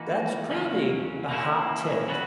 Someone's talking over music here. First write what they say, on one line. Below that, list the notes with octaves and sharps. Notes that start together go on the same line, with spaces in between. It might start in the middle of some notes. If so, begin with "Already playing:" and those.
that's probably a hot tip.
Already playing: E3 A#3 D#4 F#4 B4
E2 C#3 F#3 A#3 C#4
E3 A#3 C#4 E4
C#3 F#3 B3 F#4 B4